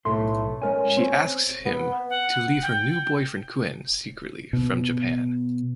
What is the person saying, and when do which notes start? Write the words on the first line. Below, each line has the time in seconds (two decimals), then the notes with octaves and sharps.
She asks him to leave her new boyfriend Kuen secretly from Japan.
0.05 B1 A2 A3 C6
0.62 G#3 C#4 A#4 G#5
0.97 C4 C#5
1.66 B3
2.10 F#5
2.62 G5
4.53 B2